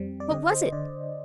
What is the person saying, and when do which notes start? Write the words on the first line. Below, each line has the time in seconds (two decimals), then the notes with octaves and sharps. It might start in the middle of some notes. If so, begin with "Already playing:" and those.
What was it?
Already playing: F2 G3 C4
0.20 D5
0.31 D3 D#5
0.52 C5
0.72 D3 D5